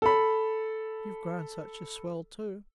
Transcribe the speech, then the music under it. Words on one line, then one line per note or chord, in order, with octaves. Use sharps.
You've grown such a swell, too.
A4 B5